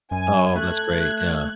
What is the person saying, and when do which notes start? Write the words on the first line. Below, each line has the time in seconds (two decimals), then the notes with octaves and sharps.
Oh, that's great, yeah.
0.11 F#2 G#5
0.55 A3 F#6 G#6